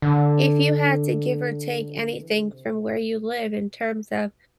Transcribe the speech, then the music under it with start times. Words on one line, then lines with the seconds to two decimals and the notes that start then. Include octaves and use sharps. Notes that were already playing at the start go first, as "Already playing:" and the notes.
if you had to give or take anything from where you live in terms of
0.02 D3
2.21 E3
2.30 D3
2.50 C3
2.68 B2
2.87 C3
3.07 B2